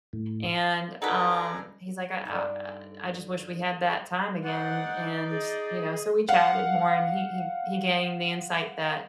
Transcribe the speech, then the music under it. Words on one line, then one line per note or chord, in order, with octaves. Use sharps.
and, um, he's like, "I, uh I I just wish we had that time again," and, you know, so we chatted more and he he he gained the insight that,
A2
D#4 F#4 A4 B4 D5 G#5 A#5
G2 D3 D#4
D#4 C5 D5 F#5
G#4 D#5
F5 F#5